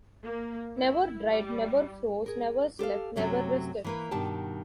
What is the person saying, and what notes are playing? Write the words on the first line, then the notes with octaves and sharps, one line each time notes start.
Never dried, never froze, never slept, never rested.
A#3
E4
G3
G#4 A#4
G4 A4 C5 F5
F#2 C3 F#3 A3 C#4
E3 A#3 B4
G2 B2 D#3 G4 A5